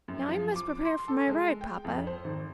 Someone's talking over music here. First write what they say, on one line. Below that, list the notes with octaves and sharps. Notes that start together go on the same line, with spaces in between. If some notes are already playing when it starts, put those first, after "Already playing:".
Now I must prepare for my ride, papa.
F#2
F3
D6
C6
A4
G#3
G5
F2
C5
G#1